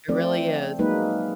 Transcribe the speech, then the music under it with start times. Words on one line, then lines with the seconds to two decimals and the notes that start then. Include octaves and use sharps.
It really is.
0.08 F3 A3 C4 D5
0.79 F#3 G#3 A#3 D#4 B4